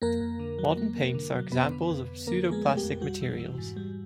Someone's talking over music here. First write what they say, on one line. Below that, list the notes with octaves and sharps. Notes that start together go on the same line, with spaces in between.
Modern paints are examples of pseudoplastic materials.
F2 A#3 A#4
F2
D3
F#3
A#3
A#3
D3
F#3
F2 B3 B4
D3
F2
F2
D3 A#3 A#4
F3
G#3 G#4
A3
G4
F2
G3 F#4
E3
E3
G#2
G3